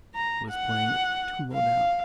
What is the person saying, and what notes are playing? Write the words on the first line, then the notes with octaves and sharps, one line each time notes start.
It was playing it too low down.
A#5
F#5
F5